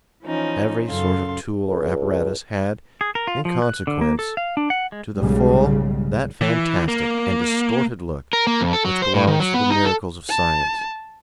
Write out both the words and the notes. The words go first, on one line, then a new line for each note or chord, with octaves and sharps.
Every sort of tool or apparatus had, in consequence, to the full, that fantastic and distorted look which belongs to the miracles of science.
E3 F3 C#4 D#4
F#2 C#3 A4 F5 C6
C#2
G#4
A#4
F4
F3
F#6
D3
A#3
A4
F5
D4
F#5
G#3
B1 G#2 C#3 G3 G#3
E3
A#3
A#4
A#3
F2
A4
F#3
C5
A2
D#3
F#3
B3
D#4
A4
A5